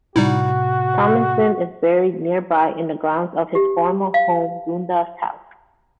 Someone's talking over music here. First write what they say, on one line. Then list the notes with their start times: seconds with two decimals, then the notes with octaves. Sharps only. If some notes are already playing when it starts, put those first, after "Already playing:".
Tomison is buried nearby in the grounds of his former home, Dundas House.
0.16 A2 C3 G3 D#4 E4 F#4
3.55 G4
4.14 F5